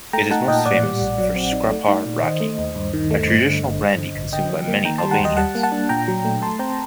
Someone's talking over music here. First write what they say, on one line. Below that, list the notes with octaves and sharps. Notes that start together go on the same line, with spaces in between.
It is most famous for Skrapar Raki, a traditional brandy consumed by many Albanians.
A3 G5 A#5
D#4 F#5 A5
A#2 D#5 G5
A2 D5 F#5
G3
A#1
F#3
C4
D#4
A3
D#4
A#2
D#3 C5 D#5
A3
D#2
G2
D#3
A3
G2
D3
G1
G2
D3
A1
D3 D#5 G5
F#3
A#3
D#3 G5 A#5
G3 A5 C6
F#5 A5
D#2 D#5 G5
G3 F#5 A5
A#3
F#5 A5
D4
A#2 G5 A#5
F#3
A3
A3 A5 C6
C4 G5 A#5